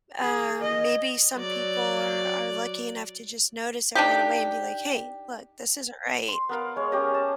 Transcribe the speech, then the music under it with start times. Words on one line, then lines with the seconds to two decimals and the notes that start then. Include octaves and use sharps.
Uh, maybe some people are are lucky enough to just notice it right away and be like, "Hey, look, this isn't right."
0.21 G#4
0.61 D#5
1.36 F#3 D5
3.95 D4 D#4 G4
6.28 C6
6.49 B3 A#4 F5
6.76 G#3 C#5
6.92 C#4 G4 D#5
7.14 A5